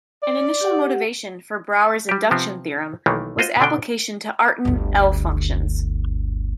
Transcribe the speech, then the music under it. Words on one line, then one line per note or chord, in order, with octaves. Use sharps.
An initial motivation for Brauer's induction theorem was application to Artin L-functions.
D5
G4 F#5
G3 G4
C3 F3 B3 C4
B1 D#3 E3 A3 A#3
F4 F#4 C5 D#5
B2 D3 D4 A4 G5
G1 D2